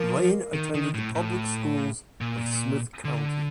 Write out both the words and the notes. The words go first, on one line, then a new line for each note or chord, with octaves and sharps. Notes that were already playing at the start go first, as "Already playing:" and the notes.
Lane attended the public schools of Smith County.
Already playing: F3 A#3
D#3
D#3
A2
A2
A#2
D3